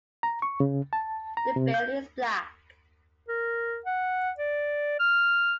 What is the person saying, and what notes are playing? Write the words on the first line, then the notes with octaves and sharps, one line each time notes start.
The bill is black.
A#5
C#6
C#3
A5
A#5
C3
G6
A#4
F#5
D5
F6